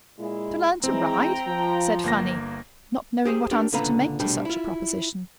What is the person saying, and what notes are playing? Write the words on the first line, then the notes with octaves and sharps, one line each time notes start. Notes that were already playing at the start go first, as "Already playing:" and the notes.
"To learn to ride!" said Fanny, not knowing what answer to make to such a proposition.
A#2 G#3 E4
E3 G#3 C4 G5 A#5
F3
G1 A#3 A#6
G4 G#4 C5
D4 G4 A#4
C#2 A#2 D3 B4 F5 A#5
C2 B2 G3 A3 D4 G5
E4 F4